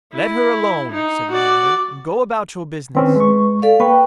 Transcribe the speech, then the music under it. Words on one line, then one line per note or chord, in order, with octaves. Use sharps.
"Let her alone," said Leander, "and go about your business."
E4
D#4
F#4 D5
D#3 C4 C#4 B4
G#3 C#6
A4 D5 F5
A#3 B4 G5 C#6